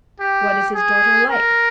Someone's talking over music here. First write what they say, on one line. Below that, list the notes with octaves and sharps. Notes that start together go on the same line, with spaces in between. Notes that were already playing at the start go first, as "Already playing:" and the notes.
"What is his daughter like?"
G4
G#4
A#4